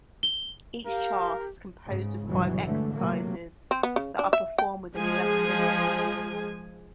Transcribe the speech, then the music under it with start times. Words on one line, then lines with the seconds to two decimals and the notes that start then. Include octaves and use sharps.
Each chart is composed of five exercises that are performed within eleven minutes.
0.23 G7
0.86 G4 A#4 F5
1.85 G#2 C#3
2.27 G1 C#2 B2 E3 F#3
2.64 G#2 D3 E3 A3
2.93 C3 F#3 A3 A#3
3.71 C4
3.83 B3
3.96 C#3
4.19 D4
4.33 E5
4.58 G5
4.96 F3 G#3 G#4 G#5